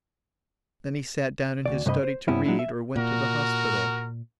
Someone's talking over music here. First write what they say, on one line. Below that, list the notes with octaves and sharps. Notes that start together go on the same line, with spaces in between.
Then he sat down in his study to read, or went to the hospital.
D2 D5
G2 C3 C5 D#5 B5
C5
G2 C3 B3 C#4 E4
F#3 G#3 D4 E4
E5
A#2 F#4 A#4